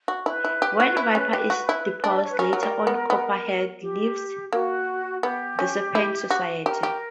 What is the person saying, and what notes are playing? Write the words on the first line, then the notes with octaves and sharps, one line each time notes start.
When Viper is deposed later on Copperhead leaves the Serpent Society.
F#4
E4 B4
E4
G4
F#4
E4
C#4
G4
F#4
E4
D4 E5
D5
C#5
B4
C#4 A#4
F#3
G3
B3
B3
G4
A#3 F#4
B3 G4
C#4
E4
F#4
G4 A#4
G4